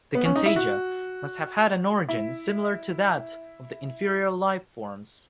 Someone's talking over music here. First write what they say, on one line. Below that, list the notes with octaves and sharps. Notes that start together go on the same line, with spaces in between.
The contagia must have had an origin similar to that of the inferior lifeforms.
B3
C#4
D#4
E4
F#4
E4